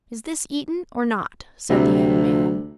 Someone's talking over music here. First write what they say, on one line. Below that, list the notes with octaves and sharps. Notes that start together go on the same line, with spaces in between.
"Is this eaten or not?" said the young man.
D2 C3 F#3 G3